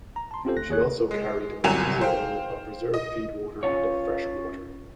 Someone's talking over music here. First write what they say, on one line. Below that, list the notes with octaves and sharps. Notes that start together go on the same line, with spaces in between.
She also carried of diesel oil, of reserve feed water and of freshwater.
A#5
A5 C6
C4 C#4 F4 G4 A4 C5
D2 F#6 A#6
D#2 G#4 C#5 F#6
G#3
G1 C2 F#3 G#5 E7 F7
C5 F5 G5
D#5
C#4 F4 C#5